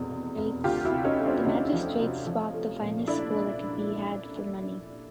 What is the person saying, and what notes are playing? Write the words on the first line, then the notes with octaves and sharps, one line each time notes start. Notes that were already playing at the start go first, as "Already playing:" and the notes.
The magistrates bought the finest bull that could be had for money.
Already playing: F1 E2 B2
F1
F1
D2 F4 G4
E4 F#4
C3
C#4 D#4
A3
C4 D4
D2 C#4 D#4
F3
C3
F3
A3
A#2
A3 D4 E4